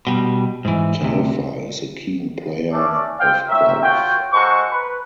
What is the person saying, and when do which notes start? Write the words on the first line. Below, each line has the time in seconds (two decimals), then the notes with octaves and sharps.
Telfer is a keen player of golf.
0.07 B2 G3
0.65 G#2 E3
1.01 D2 C3
2.72 A3 C#4 D4 D5
3.20 C4 F5 G5
3.49 C4 A#4 C#5 E5
3.82 F4 F#4 C#5 G5
4.33 G#3 F#4 A4 A#4 C5 C#6
4.72 B4